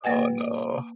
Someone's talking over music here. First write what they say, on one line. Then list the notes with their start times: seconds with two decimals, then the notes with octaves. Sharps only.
Oh, no.
0.04 A#3 B4 F#5 G#5